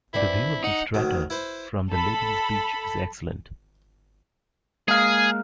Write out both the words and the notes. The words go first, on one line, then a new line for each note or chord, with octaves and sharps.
The view of the strata from the Ladies Beach is excellent.
E3 C4 D4 E4
D#4 F#5
D2 D#3 F#3
E4 B4 C5
A4 B5
G#3 A#3 G#4 F5